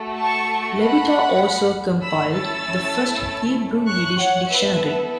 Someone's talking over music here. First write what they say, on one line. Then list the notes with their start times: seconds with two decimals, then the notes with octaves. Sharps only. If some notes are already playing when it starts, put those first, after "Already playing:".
Levita also compiled the first Hebrew-Yiddish dictionary.
Already playing: A3 F#4 A4
0.19 A5 C#6
0.80 F#5 B5
2.03 A3 C#4 E4 A4 B5 E6
2.34 E6 A6
3.87 C#6 F#6
4.18 C#5 F#5
4.49 B3 E4 A4 B4 E5